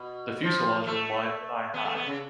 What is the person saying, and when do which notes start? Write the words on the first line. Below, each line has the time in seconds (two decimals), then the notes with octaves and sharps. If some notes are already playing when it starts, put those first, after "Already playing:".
The fuselage was wide by high.
Already playing: B2
0.43 F3
0.87 A3
1.74 B3
1.85 A3
1.95 B3
2.06 C#3